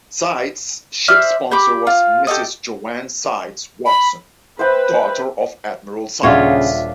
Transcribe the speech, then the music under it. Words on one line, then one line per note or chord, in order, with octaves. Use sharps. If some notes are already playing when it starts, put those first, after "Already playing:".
"Sides" ship sponsor was Mrs. Joanne Sides Watson, daughter of Admiral Sides.
C5 D5 E5 F6
G4 B5 D6
F4
G4 A4 D#5
B5
B4 C5 E5 G5
D#1 C#3 F#3 D4 F4 C#5 E5 B6